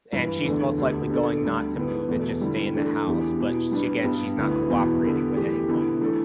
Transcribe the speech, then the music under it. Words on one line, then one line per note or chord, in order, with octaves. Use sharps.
and she's most likely going not to move, and just stay in the house, but, sh again, she's not cooperating with anyone.
G2 E3 G3 E4 B4
E2 D3 A3 D4
D2 D3 B3 G4
D3 B3 D4 A4 D5
D2 D3 G3
D3 B3 E4 B4
E2 B2 A3
D3 G3 E4
E3 A3 D4 A4
E2 E3 B3 G4
B2 B3 E4
G3 D4 B4
G2 G3 B3 D4
D2 D3 B3 E4 B4
E2 B2 B3 E4
D3 B3 G4
E3 A3 G4
D3 B3 E4
E3 A3 D4 A4